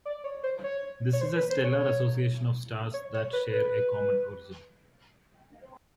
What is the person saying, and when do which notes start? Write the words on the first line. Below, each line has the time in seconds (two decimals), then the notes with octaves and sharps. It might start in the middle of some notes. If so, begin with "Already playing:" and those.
This is a stellar association of stars that share a common origin.
0.05 D5
0.24 C#5
0.43 C5
0.64 C#5
1.13 C#5
1.21 C5
1.35 B4
1.50 C5
1.64 C#5
2.94 C#5
3.14 C#5
3.33 B4
3.53 B4